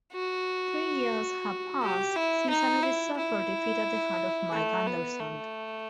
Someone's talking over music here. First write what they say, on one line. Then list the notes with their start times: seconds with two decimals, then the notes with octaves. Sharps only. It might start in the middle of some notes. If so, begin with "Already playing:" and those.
Three years have passed since Anubis suffered defeat at the hand of Mike Anderson.
0.13 F#4
1.82 G4
2.16 E4
2.50 D#4
2.83 E4
3.17 E4
4.52 A3
4.86 B3
5.20 A3